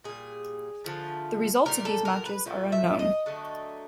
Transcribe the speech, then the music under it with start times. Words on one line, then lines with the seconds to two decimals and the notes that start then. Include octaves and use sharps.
The results of these matches are unknown.
0.04 A#2 G3 G#4
0.84 D3 F3 A3
1.65 A#2 G3 A#4
1.85 A4
2.05 A#4
2.26 B4
2.46 A#2 F3 A3
2.72 E5
2.99 D#5
3.26 D3 F#3 A3